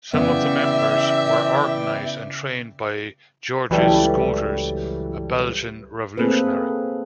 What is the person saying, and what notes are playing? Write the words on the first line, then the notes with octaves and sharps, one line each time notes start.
Some of the members were organized and trained by Georges Schoeters, a Belgian revolutionary.
C#3 E3 B3 D5 E5 G5
C#2 E3 F#3 G3 A3
A3 A#3 C4 G#4 A4 B4